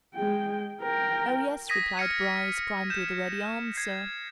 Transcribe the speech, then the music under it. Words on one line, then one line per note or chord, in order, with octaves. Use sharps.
"Oh, yes!" replied Bryce, primed with a ready answer.
G#3 G5
A#4 G5
D#6 G#6 A#6 B6 D#7
F6 G#6 C#7 D#7
G6 E7
G#6 C7